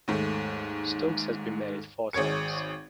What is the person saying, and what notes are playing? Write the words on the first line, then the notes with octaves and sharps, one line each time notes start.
Stokes has been married four times.
D#2 G#2 A3
G#1 G#4 C#5 G#6 C#7